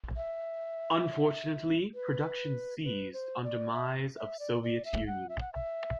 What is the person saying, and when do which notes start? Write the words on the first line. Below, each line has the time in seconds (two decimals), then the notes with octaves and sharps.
Unfortunately, production ceased on demise of Soviet Union.
0.16 E5
1.94 B4
2.85 B4
3.13 C5
3.44 D5
3.73 E5
4.17 E5
4.40 D5
4.63 D5
4.85 E5
5.07 F#5
5.29 E5
5.40 F#5
5.53 E5